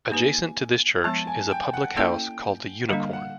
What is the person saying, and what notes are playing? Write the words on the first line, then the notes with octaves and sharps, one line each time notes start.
Adjacent to this church is a public house called the Unicorn.
A#3 D#4 G4 B4 G#5
F3 G#3 B3 A5
G#5
G5
F#5
A#3 C#4 E4 A4 D5 G5
D3 G3 A#3 D4 F5
F#5